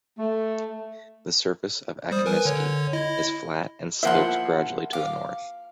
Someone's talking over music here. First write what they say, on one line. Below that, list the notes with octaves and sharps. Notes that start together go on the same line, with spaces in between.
The surface of Akimiski is flat and slopes gradually to the north.
A3
G3 C5 D#6
A#4 B4 G#5
D3 C#5
E4 D#5
F3 A#3 E4 C5 F#5 C6
F5 D6